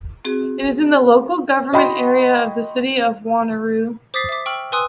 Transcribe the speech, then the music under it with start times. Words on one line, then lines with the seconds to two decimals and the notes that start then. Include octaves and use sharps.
It is in the local government area of the City of Wanneroo.
0.25 C4 F#4 G#4
1.73 F#4 D#5 G5 B5 C6
4.14 C5 D6 D#6 A6 B6 C7
4.29 E5 D6
4.46 G5 C#6 E6 F6 F#7
4.72 B4 G#5 C6 D#6 E6 F#6